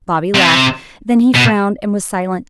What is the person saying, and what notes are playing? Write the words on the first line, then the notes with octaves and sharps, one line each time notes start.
Bobby laughed; then he frowned and was silent.
C3
B2